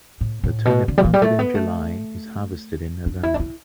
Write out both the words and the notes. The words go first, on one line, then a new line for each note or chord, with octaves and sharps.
The turnip planted in July is harvested in November.
A2
A2
B2
D3
G3
E3
G3
A3
B3
A3
D4
E4
D4
E4